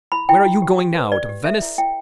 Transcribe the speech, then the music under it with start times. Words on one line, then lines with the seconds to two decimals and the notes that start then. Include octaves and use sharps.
Where are you going now--to Venice?
0.12 E4 B5
0.29 E4 G5
0.45 E4
0.62 G4
0.79 G4
0.95 B4
1.12 G4 D5
1.29 G4
1.45 A4 E5
1.62 E4
1.78 E4 G5